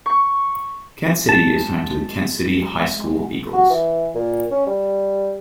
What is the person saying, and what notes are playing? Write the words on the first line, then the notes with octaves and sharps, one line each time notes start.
Kent City is home to the Kent City High School Eagles.
C#6
G#3 A5
F#4
E3
A#2
C#4
G3